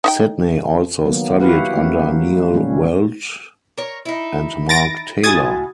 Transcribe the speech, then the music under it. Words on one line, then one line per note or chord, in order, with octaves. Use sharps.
Sidney also studied under Neil Welch and Mark Taylor.
D#4 E5 G5
D#3 F#3 A#3 B3
E4 F#4 G4 B4 F5 F#5
E3 A3 A#3 C#4
A#2 D#3 G3 A3 C#4
A#4 C#5
D#4 E4
A6 A#6 D7
A2 F#4 G#5 D#6 G#6 A6